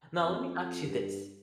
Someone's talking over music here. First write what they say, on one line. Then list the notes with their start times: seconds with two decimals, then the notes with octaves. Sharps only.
Now, let me ask you this.
0.20 F2
0.86 G2